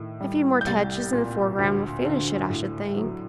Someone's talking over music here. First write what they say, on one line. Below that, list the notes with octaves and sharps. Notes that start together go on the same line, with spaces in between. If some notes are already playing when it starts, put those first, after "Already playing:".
'A few more touches in the foreground will finish it, I should think.
Already playing: A2 D#3
G3
G6
C2 A6
A#2
D2
D3
A2
F#3